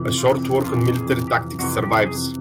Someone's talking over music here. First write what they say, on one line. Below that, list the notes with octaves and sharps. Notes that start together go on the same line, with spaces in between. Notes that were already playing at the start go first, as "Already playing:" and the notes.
A short work on military tactics survives.
Already playing: F2 C3 E3
F4
F2 C3 E3 F4
G#4
G4
F2 C3 E3 F#4
G4
G#4